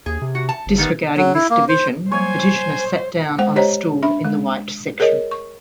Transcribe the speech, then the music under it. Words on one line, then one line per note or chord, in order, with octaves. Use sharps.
Disregarding this division, petitioner sat down on a stool in the white section.
D#2 G#4
C3
F#4
A5
G1
D#3 G3 B3
F#3
E4
A#3
C5
F#3 G3 A#3 C5 C#5 G#5
G#3 C5 F#5 G5
G4 C5 C#5 D#5 A#5
D4 E5 B5
G#3
G#4 A#4 C#5 D#5
C#6